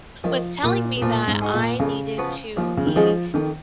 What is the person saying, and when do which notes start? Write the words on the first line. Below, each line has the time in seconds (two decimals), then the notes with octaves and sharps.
was telling me that I needed to be
0.24 D#3 F3
0.63 A#2 A#3 F4
0.97 B2
1.02 A#2 F3
1.27 G#2
1.41 G#3 D#4 F#4
1.54 A#2
1.80 F2 C#3
2.18 F3 B3 F#4 B4
2.57 D#2 F3
2.77 C#3
2.86 D#3
2.96 C#3 F3 G#3 D#4 F#4
3.34 F2 D#3